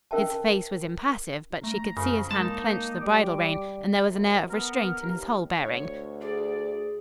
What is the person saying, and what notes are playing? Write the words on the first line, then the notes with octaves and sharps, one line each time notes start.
His face was impassive, but she could see his hand clench the bridle-rein, and there was an air of restraint in his whole bearing.
C#4 A#4 E5 G5 A5
A3 A#5
F#2 C#3 F3
G#3 A#3 D#4 A5
G3 D6
F#2
B3 A#4
D#2
D2 C#5
G#4 D5